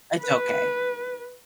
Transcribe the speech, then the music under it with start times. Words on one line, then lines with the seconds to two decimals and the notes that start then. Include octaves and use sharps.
It's okay.
0.20 B4